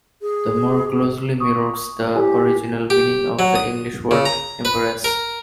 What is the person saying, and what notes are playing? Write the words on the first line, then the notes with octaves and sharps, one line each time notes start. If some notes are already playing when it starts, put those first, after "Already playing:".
This more closely mirrors the original meaning of the English word "embarrass".
G#4
C#6 D#6
E4 G4 A4 G#5
G4
F#3
D#6
C#3
A#5
B4
A#4